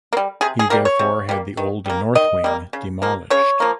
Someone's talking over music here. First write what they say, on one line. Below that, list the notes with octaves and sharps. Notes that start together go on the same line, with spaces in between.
He therefore had the old north wing demolished.
A#3
G3
C3 G#4
G#4
G3 A#3 A#4
C#5
C3
G3 A#3
D#3
G3 A#3
D#3 D#5
G3 A#3
C#3
F3 A#3
C#3 C#5
F3 A#3